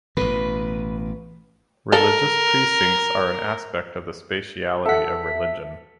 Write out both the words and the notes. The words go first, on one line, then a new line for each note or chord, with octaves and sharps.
Religious precincts are an aspect of the spatiality of religion.
A1 B2 B4
A4 A#4 F5
A4 E5 F#5 B6